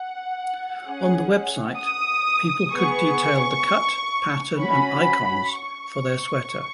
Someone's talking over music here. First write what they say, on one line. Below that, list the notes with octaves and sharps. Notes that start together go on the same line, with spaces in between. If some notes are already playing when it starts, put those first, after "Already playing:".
On the website, people could detail the cut, pattern, and icons for their sweater.
Already playing: F#5
C#4 G#4
D#6
B3 G#4 C#6
C#4 F#4 B5
C#6